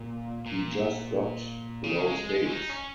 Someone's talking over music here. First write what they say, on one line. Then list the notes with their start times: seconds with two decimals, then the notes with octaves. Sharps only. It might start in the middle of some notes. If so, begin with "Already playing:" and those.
We just got those dates.
Already playing: A#2
0.46 A#2
1.84 C#3
2.07 G#3
2.29 G#3
2.46 C#4
2.52 D#4
2.69 C#4